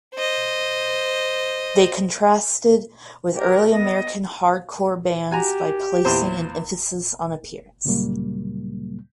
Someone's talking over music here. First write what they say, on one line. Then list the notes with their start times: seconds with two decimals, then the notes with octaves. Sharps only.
They contrasted with early American hardcore bands by placing an emphasis on appearance.
0.15 C5 D#5
3.35 G4 A#4
3.69 B3 D#5
5.31 F#4 G4 G#5 A#5
6.05 E2 A#2 C5
7.85 D2 A#2 C#3 F#3 G3 A#3